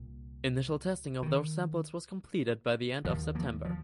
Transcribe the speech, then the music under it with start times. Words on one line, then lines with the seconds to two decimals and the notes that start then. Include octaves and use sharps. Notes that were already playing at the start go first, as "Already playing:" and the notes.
Initial testing of those samples was completed by the end of September.
Already playing: C2 A#2
1.23 D#3
3.05 D#2 F3
3.35 F3 A#3
3.65 F3